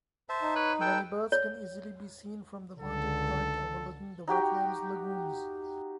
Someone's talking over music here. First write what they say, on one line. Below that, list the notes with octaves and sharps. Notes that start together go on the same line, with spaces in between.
Many birds can easily be seen from the vantage points overlooking the wetland's lagoons.
C5 E5 A5
D#4
B4 C#5
A4 B4 G5 E6
C#5
C#2 D3 A4
D#4 F#4 G4 G5